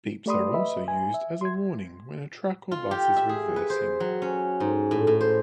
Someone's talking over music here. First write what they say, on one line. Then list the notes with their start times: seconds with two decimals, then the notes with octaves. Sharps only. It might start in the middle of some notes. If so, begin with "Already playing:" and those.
Beeps are also used as a warning when a truck or bus is reversing.
0.26 A3 G4 D5 B5 C6 D#6
0.54 B4 D#5 E5 B5
0.88 G#5
1.14 E5
1.41 C6 G#6
2.71 F4
2.91 G4
3.17 E5
3.29 G#4
3.56 B4
3.70 C5
4.00 F#3
4.22 C#4
4.60 G#2
4.91 A2
5.07 A2
5.21 C5